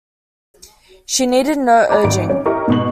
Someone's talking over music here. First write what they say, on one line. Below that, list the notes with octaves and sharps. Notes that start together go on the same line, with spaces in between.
She needed no urging.
D5 A#5 B5 D6
G#1 D7
C#4
E4 G4 A#4 D#5 C#6
G#2 B2 F#7